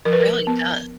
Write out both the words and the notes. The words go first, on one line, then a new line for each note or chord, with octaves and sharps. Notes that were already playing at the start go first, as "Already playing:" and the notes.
Really does.
F3 A#4
B4
A#4
B3